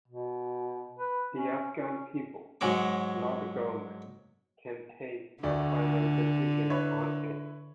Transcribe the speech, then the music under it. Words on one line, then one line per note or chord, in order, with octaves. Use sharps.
The Afghan people, not the government, can take a final decision on it.
B2
B4
C#4
C#4
G#2 F#3 G#3 D6
D2 D3 A3 D5
E4 B4 C#5